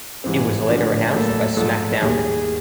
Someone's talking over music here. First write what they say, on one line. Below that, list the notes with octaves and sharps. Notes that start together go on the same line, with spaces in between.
It was later announced by SmackDown!
G#2 E3 G3 C4 G#4
D3 F3 A3 D4
A2 F#3 A#3 A4
G#2 F3 A3 A4
D#2 D#3 G3 G#4